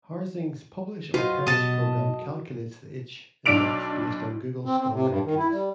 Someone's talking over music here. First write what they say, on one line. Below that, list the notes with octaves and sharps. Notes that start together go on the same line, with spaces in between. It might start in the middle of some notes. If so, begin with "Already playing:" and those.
Harzing's "Publish or Perish" program calculates the "h"-index based on Google Scholar entries.
F4 F#4 B4 C5 D#5
B2 B3 D#5 A5
B1 D4 D5 E6 D7 F7
C4
C4
C3
G2
D#3
E4
G3